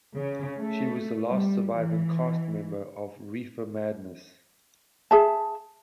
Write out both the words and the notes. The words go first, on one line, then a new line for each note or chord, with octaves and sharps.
She was the last surviving cast member of "Reefer Madness".
C#3
A3
G3
E3
G#4 E5 A5